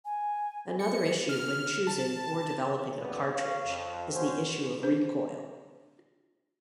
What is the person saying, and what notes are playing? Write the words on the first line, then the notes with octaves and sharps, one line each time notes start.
Another issue, when choosing or developing a cartridge, is the issue of recoil.
G#5
C#7
F6
A5
A1 D2 G2 C#3 B3 D5
C#5 F5
F2
A1 C#4 F#4 C5
D4 C5